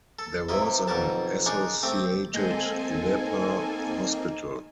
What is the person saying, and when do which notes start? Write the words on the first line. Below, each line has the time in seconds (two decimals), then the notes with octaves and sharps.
There was an associated leper hospital.
0.19 A4
0.49 G2 C3 E4 A#4 D#5
0.88 B1 F2 B2 A#4 A5
1.46 D4 D#4 G#4 A#4 C#5 D#5
1.83 A3 C4 G4
2.34 G#3 A#3 C4 A4 G#5
2.94 D#4